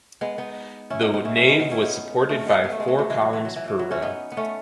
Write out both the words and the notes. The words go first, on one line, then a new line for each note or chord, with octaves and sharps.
The nave was supported by four columns per row.
G#3 B3
B3 D#4
C#4 E4
B3 D#4
B3 D#4
C#4 E4
A3 C#4
G#3 B3
B3 D#4
C#4 E4
B3 D#4
A3 C#4
G#3 B3
B3
A3
G#3
F#3 A3
F#3 A3
E3 G#3
F#3
E3
F#3
E3
E3
F#3
C#4 E4
B3 D#4
B3
A3 C#4